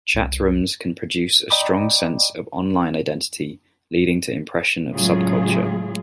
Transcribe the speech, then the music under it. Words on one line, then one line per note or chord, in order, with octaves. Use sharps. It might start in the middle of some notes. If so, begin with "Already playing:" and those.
Chatrooms can produce a strong sense of online identity leading to impression of subculture.
C2
D5 D#5 G5 A#5 B5 D6
A2 C#3 F#3 G#3 F4 G#4